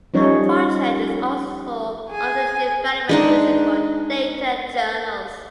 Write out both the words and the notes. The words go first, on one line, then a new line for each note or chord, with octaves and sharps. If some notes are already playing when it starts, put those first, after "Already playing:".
A project is also under development to use it for "Data Journals".
F3 G3 C#4 D#4 C#5
G#4 G#5
G#3 D4 D#4